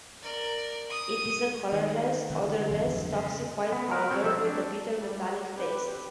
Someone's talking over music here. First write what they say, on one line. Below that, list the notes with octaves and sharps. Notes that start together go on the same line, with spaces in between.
It is a colorless, odorless, toxic white powder with a bitter metallic taste.
A#4 D5
D#6
D#3
D3 E3
G#1 F2 D3 F#3
C#3
B3
A#4 B4
C4 C#5
F3 G4 C5 E6
D4
G3
C4 G4 B4